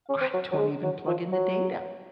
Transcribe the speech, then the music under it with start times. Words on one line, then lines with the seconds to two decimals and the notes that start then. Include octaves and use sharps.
I don't even plug in the data.
0.09 C#4
0.21 C4
0.34 F#3
0.51 F#3
0.58 G#3
0.83 F#3
1.07 F3
1.32 F#3